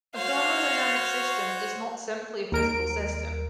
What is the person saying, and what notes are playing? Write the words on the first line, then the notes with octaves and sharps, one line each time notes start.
A thermodynamic system is not simply a physical system.
F#4 C5 C#5 F5
D#2 A#4 D7